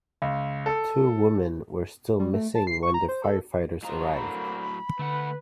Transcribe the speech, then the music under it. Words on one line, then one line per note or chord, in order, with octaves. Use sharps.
Two women were still missing when the firefighters arrived.
C#2
A4
G3
A3
A5
C7
C#6
A#5
C5
A4
A2 F#3 F4 C5 D#5 A#5
D3 A#3 C4 B5
D3 A3 B4 F#5